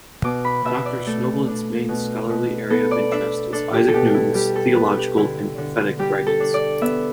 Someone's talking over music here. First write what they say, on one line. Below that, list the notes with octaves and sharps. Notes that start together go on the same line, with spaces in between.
Doctor Snobelen's main scholarly area of interest is Isaac Newton's theological and prophetic writings.
B2 D6
B5
B2 E5
D5
A3 A4
D4
B2
B2
B3 A4
D5
D4 E5
D4 A4
G4
A4
B2 G4
E4
G3 G4
A4
B3 B4
A4
G4
D3 E4
D3
G3 G4
A4
D4
D5
B3 E5